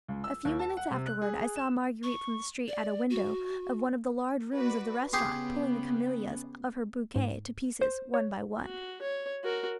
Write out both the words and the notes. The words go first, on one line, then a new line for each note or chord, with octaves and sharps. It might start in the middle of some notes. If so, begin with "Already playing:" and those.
A few minutes afterward I saw Marguerite from the street at a window of one of the large rooms of the restaurant, pulling the camellias of her bouquet to pieces, one by one.
C#2
E6
D#2
A5
F#5
C3
F#6
G#4
E7
C#6
D5
F#4
F#4 B4 D5
C#3 B3 G4 G#4 C6
G#2
C5
C#5
F#4
C#5
F#4 A#4